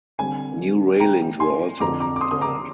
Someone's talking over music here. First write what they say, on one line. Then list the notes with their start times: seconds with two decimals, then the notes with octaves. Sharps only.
New railings were also installed.
0.19 D3 G3 C4 G#5
1.00 G5 A#5
1.40 G#5 C6
1.80 F2 D3 F3 C4 A#5 D6
2.00 A#5 D6
2.16 D6
2.21 C6 D#6
2.31 D#6
2.41 A#5 D6